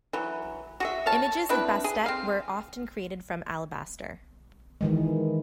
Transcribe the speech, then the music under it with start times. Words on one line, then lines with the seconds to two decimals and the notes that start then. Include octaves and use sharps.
Images of Bastet were often created from alabaster.
0.13 E3 F#3
0.80 F#4 G#4 E5
1.06 C#5 F5 A5
1.49 C4 D4 E4 B4
1.84 G#4
2.06 C4 F5
4.81 D#3 E3 G#3